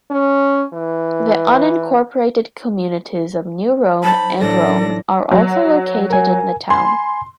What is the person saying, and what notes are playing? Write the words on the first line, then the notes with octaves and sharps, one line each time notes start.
The unincorporated communities of New Rome and Rome are also located in the town.
C#4
E3
F#3 D#4 C5 A5 B5
A1 A2 D4 D#4 A4 A#6
F#3
A#4 G#5
G#5 B5 C6